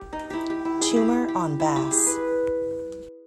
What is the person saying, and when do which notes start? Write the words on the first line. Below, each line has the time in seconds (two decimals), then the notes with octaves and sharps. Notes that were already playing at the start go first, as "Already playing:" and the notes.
Tumor on bass.
Already playing: G4
0.13 D#4
0.30 E4 G4
0.50 G4
0.65 E4
0.81 G#4
0.91 E4
0.96 G4
1.28 G4
1.60 E4
1.76 G4
1.91 G#4
2.06 B4